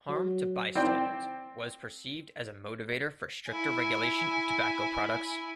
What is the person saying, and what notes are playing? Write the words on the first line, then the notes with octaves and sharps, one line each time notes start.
Harm to bystanders was perceived as a motivator for stricter regulation of tobacco products.
F#3
C4 C5 D5 G5
E4 G#5